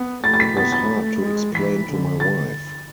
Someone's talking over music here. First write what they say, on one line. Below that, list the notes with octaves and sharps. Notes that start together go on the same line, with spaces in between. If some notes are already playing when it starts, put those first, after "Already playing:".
It was hard to explain to my wife.
Already playing: B3
A3 A6
A6
B6
B3 A6
A6
A3
G#3
E3 B6
D3
A6